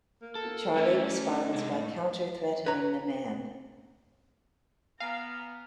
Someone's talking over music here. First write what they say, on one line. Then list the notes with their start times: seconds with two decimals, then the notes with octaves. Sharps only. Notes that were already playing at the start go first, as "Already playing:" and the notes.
Charlie responds by counter-threatening the man.
0.22 A#3
0.35 A4
0.76 A3 C#4 E4
1.28 D#4
1.54 C3 G#3
1.72 A2
2.66 B4 C#5 A#5
5.00 B3 F5 G#5 A#5 F6 D7